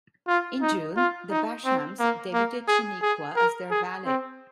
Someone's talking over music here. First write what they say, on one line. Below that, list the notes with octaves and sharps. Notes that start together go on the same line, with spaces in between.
In June, the Bashams debuted Shaniqua as their valet.
F4
D#4
F4
D#4
C4
A#3
A#3
G#4
G#4
A#4
G#4
C4